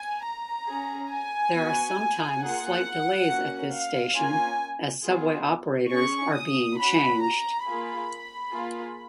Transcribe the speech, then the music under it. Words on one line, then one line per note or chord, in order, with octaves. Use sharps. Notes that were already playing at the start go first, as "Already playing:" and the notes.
There are sometimes slight delays at this station as subway operators are being changed.
Already playing: G#5
A#5
C#4 G#4
G#5
B3 F#4
A#3 F4 G#4 F#5
A#3 C#4 F#4
F5
A#3 C#4 F4 G#5
B3 F4 G#4
C#4 G#4 C#6
D#6
C#4 F#4 B5
A#5
A#3 F4 G#4 B5
A#3 F4 G#4